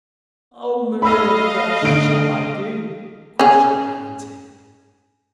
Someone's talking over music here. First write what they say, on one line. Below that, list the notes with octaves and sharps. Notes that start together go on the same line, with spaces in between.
"Oh, Marilla, what shall I do?" questioned Anne in tears.
A3 D#5 F5 B5 E6
D3 D7
C#4 G#4